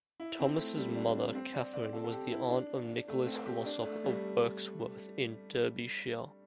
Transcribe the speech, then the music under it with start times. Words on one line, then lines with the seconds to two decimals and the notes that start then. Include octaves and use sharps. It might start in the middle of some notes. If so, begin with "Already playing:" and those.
Thomas's mother, Katherine, was the aunt of Nicholas Glossop of Wirksworth in Derbyshire.
0.20 E4
0.40 C4
0.58 A3
0.77 G3
0.96 D4
1.16 D4
1.35 C4
1.54 D5
1.73 D5
1.93 A4
2.04 A4
2.12 G4
2.31 E4
2.50 D4
3.08 A3
3.27 C4
3.46 G4
3.66 D4
3.85 A3
4.04 G3